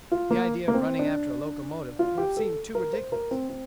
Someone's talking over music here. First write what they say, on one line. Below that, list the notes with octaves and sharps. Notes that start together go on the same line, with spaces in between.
The idea of running after a locomotive would have seemed too ridiculous.
F4
A#3
A#3
C4
D4
F4
G4
A4
A#4
C5
A#4
C4
C4